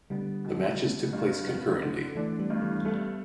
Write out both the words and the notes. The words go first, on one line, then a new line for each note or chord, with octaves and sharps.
The matches took place concurrently.
D3 G3 B3
B2
B3
G2
B3
D3
E3 A3 D4
G3 B3
G2
E3 A3
G3 A3 B3